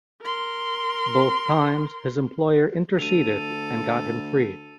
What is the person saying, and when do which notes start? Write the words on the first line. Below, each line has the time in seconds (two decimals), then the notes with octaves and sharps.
Both times his employer interceded and got him freed.
0.21 A#4 C6
2.99 D2 A4 D#7 F7